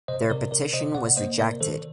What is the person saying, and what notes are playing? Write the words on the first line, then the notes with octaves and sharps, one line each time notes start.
Their petition was rejected.
C3 C5 D#5
C3 A#4 D5
C3 A#4 D5
C3 C5 D#5
C3 D5 F#5
A#3 C5 D#5
C3 A#4 D5
D#3 A4 C5